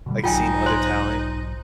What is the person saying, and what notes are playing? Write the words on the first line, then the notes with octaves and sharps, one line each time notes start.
like, seeing other talent,
B2 D3 G3
B1 G#2 F#3 D#4 F4 G5 G#5
C5 C6